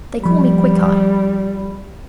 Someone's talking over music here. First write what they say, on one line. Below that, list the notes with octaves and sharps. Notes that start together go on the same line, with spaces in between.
They call me Quickeye.'
F3 G3 B5